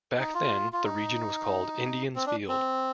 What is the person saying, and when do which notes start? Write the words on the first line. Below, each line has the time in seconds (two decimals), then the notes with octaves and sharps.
Back then, the region was called "Indians' Field".
0.19 D#4
0.34 F4
0.73 F4
0.84 D#4
2.15 C4
2.26 D4
2.49 C4